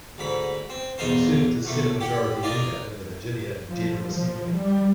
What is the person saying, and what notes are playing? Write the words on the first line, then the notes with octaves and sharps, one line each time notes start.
He served as Senate Majority Leader in the Virginia General Assembly.
D2 G#2 B5
C4
B1 E2 D#4 F4 A#4 C5
B1 A#2 A3
G4 F#5
F4 A#4 D5 D#5
F3
F3
G3